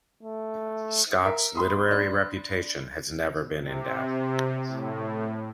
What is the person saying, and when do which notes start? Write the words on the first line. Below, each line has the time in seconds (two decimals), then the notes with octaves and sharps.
Scott's literary reputation has never been in doubt.
0.23 A3
1.25 A#4 E5
1.55 B5 C6 D#6
1.91 D4
3.61 C3
4.67 A2